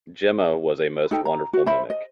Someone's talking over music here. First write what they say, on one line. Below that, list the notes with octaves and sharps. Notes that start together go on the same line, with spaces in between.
Jemma was a most wonderful mimic.
D#4 A4 G5
A#5
F#4
C5 E5 B5
D#5